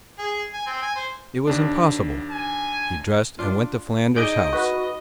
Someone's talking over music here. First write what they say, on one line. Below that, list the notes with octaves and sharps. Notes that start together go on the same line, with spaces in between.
It was impossible; he dressed and went to Falander's house.
G#4
G#5
C4
G#5
C5
D#2 D4
G#5
D4 F4
D#4 G#4 D5 D#5 G6 D7
F#4 B4